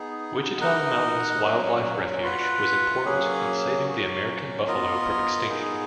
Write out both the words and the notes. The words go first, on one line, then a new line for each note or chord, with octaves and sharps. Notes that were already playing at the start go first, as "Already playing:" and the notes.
Wichita Mountains Wildlife Refuge was important in saving the American buffalo from extinction.
Already playing: B3 D#4 G#4
D#4 A#4 D#5 F#5
F#3 C#4 F#4
F4 B4 F#5
F#3 A#3 C#4 G#4
F#3 C#4 F#4
B3 F4 A#4 D#5
B3 D#4 G#4